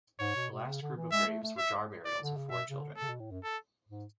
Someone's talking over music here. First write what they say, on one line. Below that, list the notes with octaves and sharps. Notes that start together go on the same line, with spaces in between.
The last group of graves were jar burials of four children.
G#2 C#5
B2
B2
C#3
D3
E3
G#3 E5
A3
A3
E5
D5
D3
C#3
B2 E5
C#3
D3
A4
C#3
B2
A2
F#2
A4
G#2